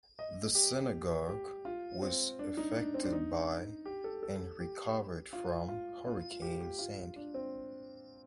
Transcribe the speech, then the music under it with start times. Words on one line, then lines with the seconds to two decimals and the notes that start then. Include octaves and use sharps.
The synagogue was affected by and recovered from Hurricane Sandy.
0.19 D#5
0.55 G4
1.29 G4
1.65 F4
2.02 C4
2.39 D4
2.57 D#4
2.76 D4
2.94 C4
3.03 D4
3.13 D#4
3.86 G4
4.04 A4
4.23 A4
4.60 G4
5.33 F4
5.69 F4
6.06 F4
6.31 F4
6.42 G4
6.61 G4
6.79 F4
7.16 D4
7.34 C4